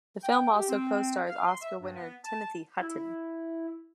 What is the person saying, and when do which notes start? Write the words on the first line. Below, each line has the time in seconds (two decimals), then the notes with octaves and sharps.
The film also co-stars Oscar winner Timothy Hutton.
0.23 G5
0.54 G4
0.69 C4
1.27 F5
1.46 C6
1.61 E5
1.80 G2
1.96 B3
2.24 A5
2.81 E4